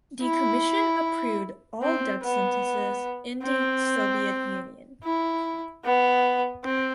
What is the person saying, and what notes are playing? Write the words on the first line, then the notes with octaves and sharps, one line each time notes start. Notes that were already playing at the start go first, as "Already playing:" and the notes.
The Commission approved all death sentences in the Soviet Union.
E4
C4
B3
C4
E4
B3
C4